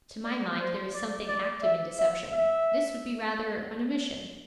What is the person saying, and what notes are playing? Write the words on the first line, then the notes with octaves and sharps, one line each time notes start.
'To my mind there is something active in deception; this would be rather an omission.'
D5
C5
D5
D5
E5
E5
E5